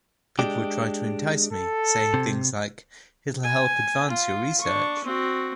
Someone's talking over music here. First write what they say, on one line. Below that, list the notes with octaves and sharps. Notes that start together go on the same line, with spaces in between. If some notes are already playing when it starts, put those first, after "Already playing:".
People would try to entice me, saying things like, 'It'll help advance your research.
G#3 D4 G4
A4
C3
G#5
F4
D4 C#6
C4 F#4